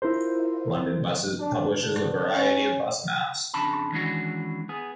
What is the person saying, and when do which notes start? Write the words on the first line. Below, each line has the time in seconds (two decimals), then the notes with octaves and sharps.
London Buses publishes a variety of bus maps.
0.02 E4 F4 A#4 C5
1.39 D4
1.70 D3
2.34 C#4
3.54 F2 C#3 D4 A5 B5
3.92 D#3 E3 G#3 C#4 D4 F#4
4.69 B3 G#4